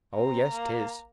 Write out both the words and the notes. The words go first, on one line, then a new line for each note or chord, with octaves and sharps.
Oh yes, 'tis.
C4 A#5
A#3